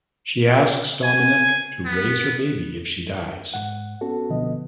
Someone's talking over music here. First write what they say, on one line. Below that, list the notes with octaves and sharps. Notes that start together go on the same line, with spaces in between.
She asks Dominick to raise her baby if she dies.
G#5
B3
G#2 F#5
B3 C#4 F#4 A4
C#2 B2 D3 F3 B3 D#5